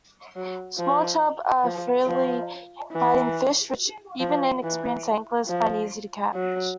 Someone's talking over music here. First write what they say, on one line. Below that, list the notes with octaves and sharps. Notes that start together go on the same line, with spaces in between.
Small chub are freely biting fish which even inexperienced anglers find easy to catch.
F#3
F3
F3
F3
E3
F3
E3
F3
F#3